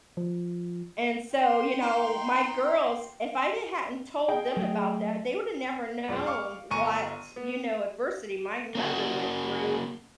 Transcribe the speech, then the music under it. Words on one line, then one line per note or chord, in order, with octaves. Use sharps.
and so, you know, my girls, if I didn't hadn't told them about that, they woulda never known what, you know, adversity my mother went through
F3
G5 C6
D#4
G#4 D#5 G5
F#3 A3
E1 F#2 F4 D5
F5 C#6 D6 F6
G1 G#5 A#5 C#6 D#7
B3
A#3 C#4 F#4